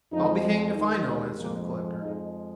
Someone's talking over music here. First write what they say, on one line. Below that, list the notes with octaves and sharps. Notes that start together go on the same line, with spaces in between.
"I'll be hanged if I know," answered the collector.
F2 F3 G#3 D#4
D#2 D#3 G#3 D#4
C4
F2 F3 G#3 A#3
C4
F2 F3 G#3 D#4